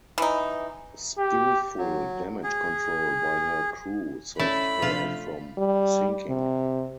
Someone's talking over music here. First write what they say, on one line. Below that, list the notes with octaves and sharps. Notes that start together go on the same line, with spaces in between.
Skillful damage control by her crew saved her from sinking.
E3 D#4
G4
F#3
G#4
A3 C#4 E4 D5 B5
C3 F3 D4 F4
G3
C3